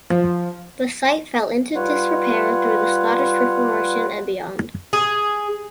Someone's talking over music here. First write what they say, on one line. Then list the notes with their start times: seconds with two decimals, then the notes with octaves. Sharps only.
The site fell into disrepair through the Scottish Reformation and beyond.
0.10 F3
1.75 G3 F4 B4 C#5 F#5
4.93 G#4